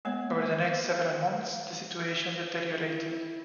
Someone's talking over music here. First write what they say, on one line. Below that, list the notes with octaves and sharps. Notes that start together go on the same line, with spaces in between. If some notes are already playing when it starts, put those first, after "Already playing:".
Over the next several months, the situation deteriorated.
G#3 A#3 B3 C#5
E4